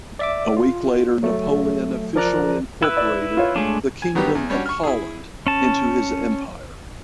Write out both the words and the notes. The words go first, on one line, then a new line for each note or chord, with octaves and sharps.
A week later Napoleon officially incorporated the Kingdom of Holland into his empire.
D5 E5 D6
F4
F#3 A3
F3 A#4 D5 A#5 F#6
E4 B4 E6
D5
F4 C#5
G#3 A3 D4
G#5
D#3 F#3 G3 B3 G4
E2
G3 C#4 D4 F#4
C#6 F6
E4 G#4
C#4 A5